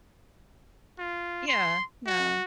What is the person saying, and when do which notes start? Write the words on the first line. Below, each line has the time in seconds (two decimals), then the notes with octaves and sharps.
Yeah, yeah.
0.99 F4
1.48 C6
2.06 F#4